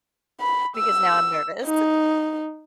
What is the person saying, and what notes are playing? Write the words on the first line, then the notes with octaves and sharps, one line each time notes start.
Because now I'm nervous.
B5
E6
D#4